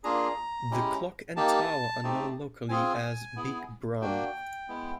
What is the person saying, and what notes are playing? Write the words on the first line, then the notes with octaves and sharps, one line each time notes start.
The clock and tower are known locally as, "Big Brum".
A#3 D4 F4 G#4 A#5
G#3 C#4 E4 G4
A#3 D#4 G4 A5
A3 C4 D#4 G4
C4 F4 G#4 G#5
B3 E4 G#4
A#3 D4 F#4 G5
G#3 B3 E4